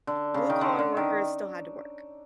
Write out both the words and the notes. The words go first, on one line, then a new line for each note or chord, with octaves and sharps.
blue collar workers still had to work
D3
C#3
D#3
D3
D3
D#3